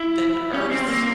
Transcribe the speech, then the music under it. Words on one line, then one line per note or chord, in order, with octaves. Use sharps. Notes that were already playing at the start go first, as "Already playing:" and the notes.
than Earth,
Already playing: E4
C#4
C4
A#3